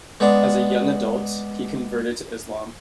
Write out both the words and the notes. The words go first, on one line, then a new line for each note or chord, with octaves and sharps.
As a young adult, he converted to Islam.
G#3 B3 D4